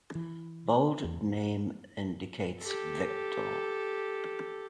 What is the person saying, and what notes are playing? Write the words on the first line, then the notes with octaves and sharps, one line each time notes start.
Bold name indicates victor.
E3
E2
G4 A4